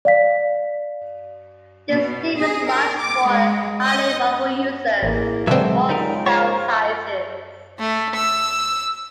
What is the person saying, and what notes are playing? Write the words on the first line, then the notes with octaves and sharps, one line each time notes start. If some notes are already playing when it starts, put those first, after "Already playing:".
This difference is large for highly mobile users and small cell sizes.
D5 F5 B6
B2
G#4
A#4
D6
G#3
D#5
A1 A#3 E4 G#4
B2 D3 F#3 G#3 C4 E5
C#3 F3 G3 G#3 D#4 A#4
F4 C5 C#5
A3
E6